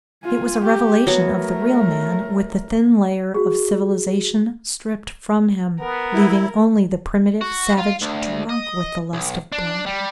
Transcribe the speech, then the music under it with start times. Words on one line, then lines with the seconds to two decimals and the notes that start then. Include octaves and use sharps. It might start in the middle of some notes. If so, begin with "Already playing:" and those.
It was a revelation of the real man with the thin layer of civilisation stripped from him, leaving only the primitive savage drunk with the lust of blood.
0.23 F4 G#5
0.63 G4
1.07 F#3 A3 B3 A#4
3.34 F#4 G#4
5.79 B3 A#4
6.13 E4
7.41 F#4
7.78 F4
8.02 D2
8.49 D#5
9.13 B1
9.52 D4
9.86 G3